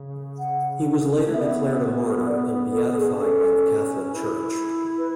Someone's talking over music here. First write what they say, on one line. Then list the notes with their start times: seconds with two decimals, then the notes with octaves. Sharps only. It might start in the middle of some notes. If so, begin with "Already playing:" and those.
He was later declared a martyr and beatified by the Catholic Church.
Already playing: C#3
0.39 F#5
1.27 A3
1.33 B3 E5
1.41 D5
1.47 E5
2.26 D5
2.73 A4
2.97 G#4
3.13 D4
3.20 C#4 A4
4.13 E4
4.98 B4